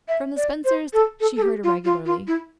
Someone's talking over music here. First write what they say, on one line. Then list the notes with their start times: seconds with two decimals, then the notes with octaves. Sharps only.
From the Spencers she heard irregularly.
0.08 E5
0.37 D5
0.65 C5
0.93 A4
1.21 A4
1.36 A4
1.42 G4
1.64 F4
1.85 F4
2.06 F4
2.27 E4